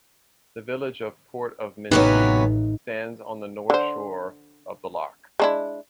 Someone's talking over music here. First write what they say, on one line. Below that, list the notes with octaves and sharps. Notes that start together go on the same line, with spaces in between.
The village of Port of Menteith stands on the north shore of the loch.
A1 C3 F#3 B3 C#4 D#4 B4
D3 C5
G#3 D4 E4